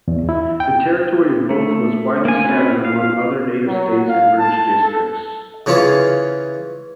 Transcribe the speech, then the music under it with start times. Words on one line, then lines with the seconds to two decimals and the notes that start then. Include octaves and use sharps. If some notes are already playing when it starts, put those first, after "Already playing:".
The territory of both was widely scattered among other native states and British districts.
0.08 E2
0.29 E4
0.60 G5
1.50 A3
2.25 A#3 G#5
2.44 C4 C#4 F#4 B4
2.85 F5
3.67 F#3
4.08 F5
4.39 A5
4.83 A4
5.66 C#3 E3 C#4 F4